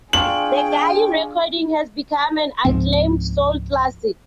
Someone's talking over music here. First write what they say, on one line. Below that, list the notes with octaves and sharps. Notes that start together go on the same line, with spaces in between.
The Gaye recording has become an acclaimed soul classic.
D4 F4 G#4 G5 C#6 F#7
C#2 G#2 F3 C4